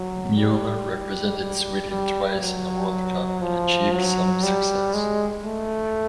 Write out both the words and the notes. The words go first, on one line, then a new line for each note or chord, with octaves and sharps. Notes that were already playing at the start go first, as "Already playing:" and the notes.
Mueller represented Sweden twice in the World Cup and achieved some success.
Already playing: F#3
G3
G3
F#3
F3
F#3
G3
G#3
A3